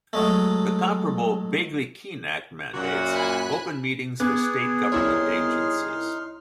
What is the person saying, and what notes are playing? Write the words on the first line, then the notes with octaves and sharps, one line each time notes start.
The comparable Bagley-Keene Act mandates open meetings for State government agencies.
F#3 G#3 A3
F#2 A#2 F#4
G#5 B5 F#6
B3 G#4 D6 F#6 G#6
C2 D#4 E4 C#5 C6 F6